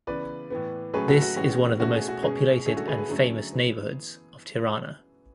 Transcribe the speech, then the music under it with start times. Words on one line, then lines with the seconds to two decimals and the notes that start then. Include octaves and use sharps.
This is one of the most populated and famous neighborhoods of Tirana.
0.07 C#3 E3 B3 B4 D5
0.50 A2 E3 B3
0.93 A2 F#3 A3 C#4 G#4 B4
1.08 F#4 A4
1.22 F#4
1.36 A2 E3 G#3 C#4 F#4
1.80 B2 A3 C#4 F#4
1.94 G#4
2.08 F#4
2.23 B2 G#3 C#4 G#4
2.66 D3 A3 C#4 G#4
2.77 F#4 A4
2.88 G#4 B4
2.98 G#4 B4
3.09 D3 F#3 A3 C#4 G#4
3.52 E3 B3